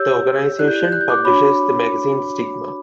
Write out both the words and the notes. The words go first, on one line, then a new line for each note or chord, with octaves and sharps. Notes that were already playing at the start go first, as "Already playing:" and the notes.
The organization publishes the magazine "Stigma".
Already playing: G4 C#5 E6 G6
E4 G4 D5 F#6
G6
F#6
G6
F#6
G6
D6 F#6
D4 F#4 C#5 B5 D6